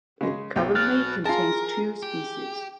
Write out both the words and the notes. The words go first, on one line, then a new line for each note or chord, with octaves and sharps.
It currently contains two species.
C#3 G#3
B1 G5
B2 F6 F#6 A6
F4 G#4 A#4 A5
G4